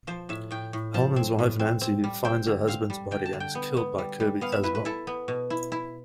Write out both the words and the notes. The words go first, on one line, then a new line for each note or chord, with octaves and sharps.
Halman's wife Nancy finds her husband's body and is killed by Kirby as well.
F3 C5
A2 E5
A2 G5
A2
F3 A5
C4
A2
C4
C4
G3
C4 G5
D3
C4 F5
G3
D3 G5
A5
D3
G5
B3
B3
G3
G3
B3 F5
E5
E4 B4
B4
E4 A4
B3
B2
E4
E4